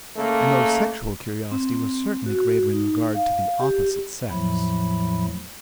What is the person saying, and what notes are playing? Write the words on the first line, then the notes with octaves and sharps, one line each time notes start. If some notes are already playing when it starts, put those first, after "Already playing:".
M.O.'s sexual curiosity was certainly greater in regard to the opposite sex.
C#3 A3 A#3
C4
F#4
D#4
F5
G4
E2 A2 F3 F#3 A3 B5